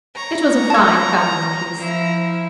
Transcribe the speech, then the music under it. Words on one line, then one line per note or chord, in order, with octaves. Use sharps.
It was a fine family-piece.
C#5 A#5
A5 G#6
F3 E4